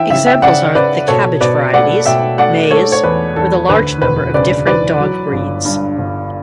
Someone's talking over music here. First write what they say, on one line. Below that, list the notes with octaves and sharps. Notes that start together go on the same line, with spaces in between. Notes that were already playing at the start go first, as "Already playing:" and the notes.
Examples are the cabbage varieties, maize, or the large number of different dog breeds.
Already playing: E3 E5 G5
C#3 E5 G5
E5 G5
C#3 D5 F#5
C#3 B4 D5
B2 A4 C#5
B2 B4 D5
A3 D5 F#5
B2 E5 G5
A3 D5 F#5
A3 A4 C#5
C#5
E2 B4
E2 A4
D2 B4
E1 B4
C#3 B4 D5
E3 B4 D5
F#3
G1
G2
G1